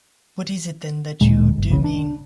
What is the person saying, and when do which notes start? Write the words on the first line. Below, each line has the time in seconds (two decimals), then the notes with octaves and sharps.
What is it, then, that you do mean?
1.21 D1 A#2 G#3
1.58 G1
1.69 F#1 C2 A#2 C#3
1.84 D4